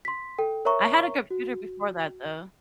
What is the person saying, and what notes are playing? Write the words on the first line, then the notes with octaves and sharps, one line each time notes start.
I had a computer before that, though.
C6 B6
A4 G5
A#4 C#5 E5 A#5 C#6
F#4